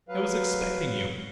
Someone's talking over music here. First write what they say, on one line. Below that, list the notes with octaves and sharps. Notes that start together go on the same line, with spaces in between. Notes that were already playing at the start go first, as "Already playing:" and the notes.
I was expecting you.
F#3 B4 F5